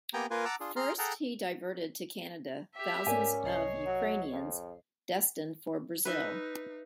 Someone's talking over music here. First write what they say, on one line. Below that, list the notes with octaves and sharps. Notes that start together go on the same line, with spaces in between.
First, he diverted to Canada thousands of Ukrainians destined for Brazil.
A#3 B3 G4 G5 G#5 A#5
A#3 F4 A#4 B4 G#5
F#5 A5 A#5 D6 E6
D4 F4 G#4
G#4 A#5 C6 F6
G#4 A4 F#5 G5 A5 A#5
G4 E5
G#2 C#4 A#4 D5 G#5
C2 C#5 D#5 C7
F#3
F2
D#4 B4 E5